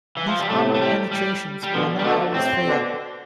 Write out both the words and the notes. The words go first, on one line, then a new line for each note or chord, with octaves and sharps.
These armour penetrations were not always fatal.
E3
F3
G3
A2 C3 A3
A3
G3
G3
G3
B2 D3 F3
G3
B2 D3 A3
A2 C3 C4
B2 D3